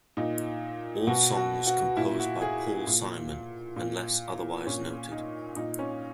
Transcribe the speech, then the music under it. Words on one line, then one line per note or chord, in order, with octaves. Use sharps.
All songs composed by Paul Simon unless otherwise noted.
A#2 D#4
B2 F#4
F#4
F#4
A#2 E4
F#4
G#4
A#2
A#2
A#2 C#4
D#4
A#2 D#4
C#4